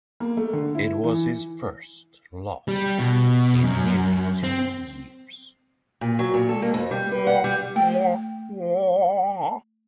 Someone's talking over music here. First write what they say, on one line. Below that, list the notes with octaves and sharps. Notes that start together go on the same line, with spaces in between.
It was his first loss in nearly two years.
A#3
A3
D3
E4
E3
G3
B2
F#2
C4
A#2
F#3
A#2
A4
A#3
F2
G3
B4
F#5
G3
A3 G5